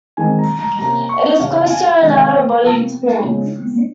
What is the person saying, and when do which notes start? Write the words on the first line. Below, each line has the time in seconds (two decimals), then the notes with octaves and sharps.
It's close to an out-of-body experience.
0.17 D#3 G#3 C4 G#5
0.38 A#5
0.58 A#5
0.78 C3 G3 A#3 C#4 A#5
1.09 C#6
1.40 C#3 G3 C#4 F5
1.61 F5
1.70 G#5
1.80 G5
2.00 C3 D#3 G#3 C4 G5
2.15 F5
2.32 G5
2.47 G5
2.62 C3 F3 A#3
3.23 C#3 F3 G#3 C#4